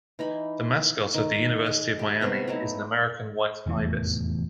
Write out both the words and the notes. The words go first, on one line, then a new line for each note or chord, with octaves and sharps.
The mascot of the University of Miami is an American white ibis.
E3 D#4 B5
D#3
G#4 D#5
G4
C3 B3 B4 C#6
F#3 A3 D#4 E4
F1 E2 A2 E3